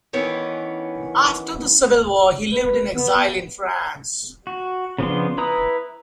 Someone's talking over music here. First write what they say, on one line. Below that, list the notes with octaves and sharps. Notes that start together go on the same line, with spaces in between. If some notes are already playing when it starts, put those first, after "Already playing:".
After the civil war he lived in exile in France.
D#3 E3 B3 C#4
B4
B3
F#4
C#3 F3 B3 D4 C6
E4 B4 A#5 D#6